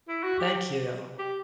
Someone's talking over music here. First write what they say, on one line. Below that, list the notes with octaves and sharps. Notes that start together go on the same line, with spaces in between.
Thank you.
E4
F#4
G4
G4